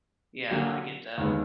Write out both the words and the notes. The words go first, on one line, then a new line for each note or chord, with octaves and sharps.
Yeah, I get that.
D3 F#3 A#3
D#2 D#3 G#3 B3